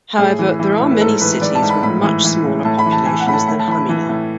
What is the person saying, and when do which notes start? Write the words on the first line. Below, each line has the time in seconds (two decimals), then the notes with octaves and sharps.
However, there are many cities with much smaller populations than Hamina.
0.18 A2 G#4
0.39 E3
0.59 E3
0.80 A2
0.90 B4
1.01 G#2 A4
1.20 E3 B4
1.41 E3 D5
1.55 A5
1.62 G#2
1.69 B5
1.83 A2 B5
2.03 E3
2.24 E3
2.44 A2
2.65 A2 A5
2.79 B5
2.86 E3
2.92 A5
3.06 E3 G#5
3.20 F#5
3.27 A2 B5
3.33 A5
3.47 A2 B5
3.59 A5
3.67 E3 B5
3.89 E3
4.09 A2